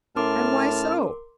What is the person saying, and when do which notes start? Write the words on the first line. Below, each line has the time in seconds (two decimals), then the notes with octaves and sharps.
"And why so?"
0.16 A2 C#4 A#4 A5 C6 D6 F6